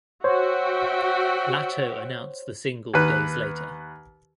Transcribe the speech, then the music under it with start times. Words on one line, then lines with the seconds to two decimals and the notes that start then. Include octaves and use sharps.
Latto announced the single days later.
0.24 F#4 C5 C#5 E5 G5
2.94 D#2 B4